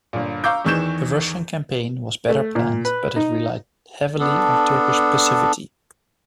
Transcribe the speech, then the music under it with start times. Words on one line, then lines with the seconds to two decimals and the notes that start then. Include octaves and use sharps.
The Russian campaign was better planned, but it relied heavily on Turkish passivity.
0.13 G1 A#2
0.44 F5 A#5 C#6 D6 E6 G6
0.65 E2 D#3 E3 C#6 G6 E7
2.29 A3
2.55 A#2
2.85 B4
3.16 D#4
4.19 B3 D4 A4